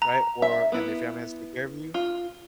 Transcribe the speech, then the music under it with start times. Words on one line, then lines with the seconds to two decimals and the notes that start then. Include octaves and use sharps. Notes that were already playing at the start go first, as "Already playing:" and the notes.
Right? Or and their family has to take care of you
0.02 A#5
0.42 E5
0.72 B3 E4
1.94 F4